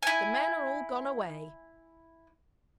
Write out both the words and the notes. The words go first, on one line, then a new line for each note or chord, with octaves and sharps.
The men are all gone away.
E4 G#5